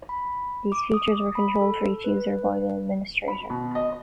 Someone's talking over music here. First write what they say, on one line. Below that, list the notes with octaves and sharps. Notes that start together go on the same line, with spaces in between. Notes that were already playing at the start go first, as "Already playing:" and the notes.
These features were controlled for each user by the administrator.
B5
D6
D#6
B5
A4
B4
B5
B2
D#5